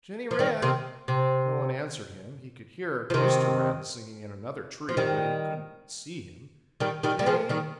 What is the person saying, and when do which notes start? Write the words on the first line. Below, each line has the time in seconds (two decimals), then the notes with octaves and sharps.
Jenny Wren!" No one answered him. He could hear Mr. Wren singing in another tree, but he couldn't see him. "Jenny!
0.31 F3
0.39 D#3 G3
0.62 C3 D#3
1.08 C3
3.10 F3
3.14 C3 D#3
4.89 F3
4.97 D#3 G3
6.80 D#3 G3
7.03 D#3 G3
7.19 G3
7.26 F3 G#3
7.49 D#3 G3